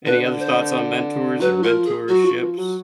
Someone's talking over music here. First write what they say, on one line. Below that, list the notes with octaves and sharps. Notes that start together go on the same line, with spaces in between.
Any other thoughts on mentors or mentorships?
D3 B4
C5
F#3 B4
F3 A#4
G#4
F#3 F#4
F3
F3
F#3